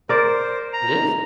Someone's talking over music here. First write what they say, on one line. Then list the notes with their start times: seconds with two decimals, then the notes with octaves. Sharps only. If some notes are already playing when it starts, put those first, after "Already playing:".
It is.
0.09 A#4 C5 D5
0.73 A#5